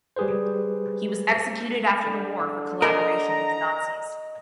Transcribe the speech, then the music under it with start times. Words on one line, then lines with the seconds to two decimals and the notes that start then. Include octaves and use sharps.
He was executed after the war for collaboration with the Nazis.
0.16 G3 G4 G#4 B4 C5
2.06 D3
2.82 A#4 D#5 A#5